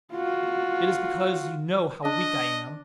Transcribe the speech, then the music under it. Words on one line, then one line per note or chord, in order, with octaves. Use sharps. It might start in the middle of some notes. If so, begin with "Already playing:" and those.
It is because you know how weak I am!
F4 F#4
D4 D#5